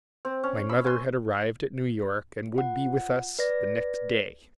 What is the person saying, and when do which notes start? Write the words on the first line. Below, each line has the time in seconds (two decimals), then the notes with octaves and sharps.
My mother had arrived at New York, and would be with us the next day.
0.25 C4
0.44 C#4
0.69 B5 E6
0.84 G#5 C6
2.54 F4 F#5
3.39 B4 D5 A#6